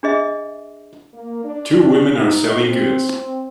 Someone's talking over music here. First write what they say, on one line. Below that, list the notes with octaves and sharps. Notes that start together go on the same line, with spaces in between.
Two women are selling goods.
D4 G#4 D#5 E5
A#3
D4
D4
D#4
C4